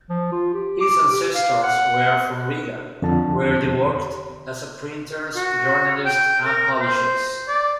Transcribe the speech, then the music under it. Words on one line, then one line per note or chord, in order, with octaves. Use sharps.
His ancestors were from Riga, where they worked as printers, journalists and publishers.
F3
F4
G4
D6
G4
F5
F#5
F2 D3 A5
F#4
G5
A#4
C5
D5